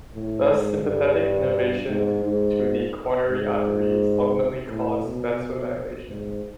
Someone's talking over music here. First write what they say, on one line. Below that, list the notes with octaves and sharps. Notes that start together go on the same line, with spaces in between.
Thus sympathetic innervation to the coronary arteries ultimately causes vasodilation.
A2
G#2
G2
G#2
G#2
G#2
A2
B2
B2
G#2